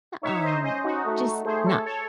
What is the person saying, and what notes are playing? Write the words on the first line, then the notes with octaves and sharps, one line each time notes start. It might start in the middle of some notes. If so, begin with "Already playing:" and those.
eh, um, just not
D#4 C#5 E5
E5
C5 D#5
C#4 C5 D#5
D#4 F#4
A3
A3 G#4 C5
A4 C#5
A4 C#5